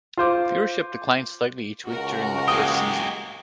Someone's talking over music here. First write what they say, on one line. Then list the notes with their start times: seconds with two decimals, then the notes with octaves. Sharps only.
Viewership declined slightly each week during the first season.
0.17 F4 C5 D6
1.86 C#2 F#4 A#4
2.48 G#3 G4 D#6